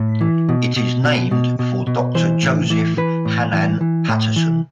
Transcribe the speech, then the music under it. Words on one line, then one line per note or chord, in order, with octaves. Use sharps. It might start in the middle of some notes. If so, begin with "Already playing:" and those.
It is named for Doctor Joseph Hanan Patterson.
Already playing: A2
E3
B2
B2
B2
B2
B2
B2
E3 C5
A2
E3
E3 B4
A2
E3
E3
A2
E3